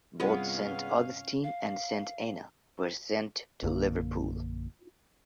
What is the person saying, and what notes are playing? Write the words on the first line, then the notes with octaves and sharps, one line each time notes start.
Both "St Augustine" and "St Anna" were sent into Liverpool.
C2 G2 C3 G#3 B3 C#4 F4 F5
F5
A#1 F#2 D3 A#3